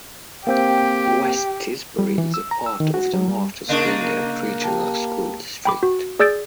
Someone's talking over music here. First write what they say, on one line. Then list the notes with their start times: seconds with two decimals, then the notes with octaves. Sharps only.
West Tisbury is a part of the Martha's Vineyard Regional School District.
0.47 A#3 C4 G4 G5
1.99 G3
2.18 E3
2.34 E6
2.51 A#5
2.66 E6
2.80 D#3
2.94 F#4
3.14 F#3
3.28 G3
3.69 C#3 A#3 D4 D#4 A#4 D#5 C#6
4.63 G4 G5 A5
5.65 G5 B5 D6
5.83 F#4
6.20 G#4 D5 E6 G6 A6 D7